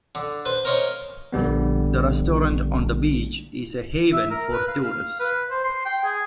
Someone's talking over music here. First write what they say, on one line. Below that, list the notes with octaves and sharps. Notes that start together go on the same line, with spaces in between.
The restaurant on the beach is a haven for tourists.
D3
B4 C5
A#4 C5 C#5 D#5 F5 B5
A#1 D3 G3 B3
E5
A#4
B4
F5
F5
B4
C5
C6
G5
G#4